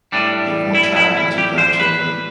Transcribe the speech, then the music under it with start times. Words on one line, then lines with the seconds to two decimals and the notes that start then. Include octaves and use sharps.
They have one child and two grandchildren.
0.12 A2 G3 D4
0.75 E4
0.96 E4
1.17 E4
1.38 G4
1.58 C5
1.80 B4